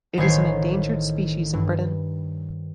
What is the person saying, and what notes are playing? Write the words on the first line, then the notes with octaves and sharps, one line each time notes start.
It is an endangered species in Britain.
A1 D#3 C5 C#5 C7
G2